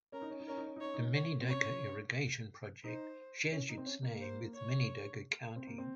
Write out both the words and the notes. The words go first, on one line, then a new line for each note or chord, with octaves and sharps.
The Minidoka irrigation project shares its name with Minidoka County.
C#4 A#4
D#4
C#4
D#4
C#4 A#4
D#4
C#4
D#4
C#4 C#5
D#4
C#4
C#5
C4
C#4 C#5
D#4 C5
C#4
D#4
C4
C#4
A#3
C5
C#5
C4
A#3
C4